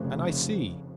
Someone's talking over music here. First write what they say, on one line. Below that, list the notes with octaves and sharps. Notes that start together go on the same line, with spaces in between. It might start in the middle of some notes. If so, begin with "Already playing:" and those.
And I see.
Already playing: F1 F2 C#3